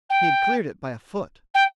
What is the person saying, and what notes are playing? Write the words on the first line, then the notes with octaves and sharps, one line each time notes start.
He had cleared it by a foot.
G5
G5